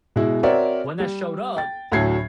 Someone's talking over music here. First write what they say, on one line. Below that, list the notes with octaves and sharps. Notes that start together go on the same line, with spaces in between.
when that showed up,
B2 G#3 E4
C4 F#4 A#4 C#5 D5 E5
G3
G5 A6
D2 A2 F#3 A4 G#6 C7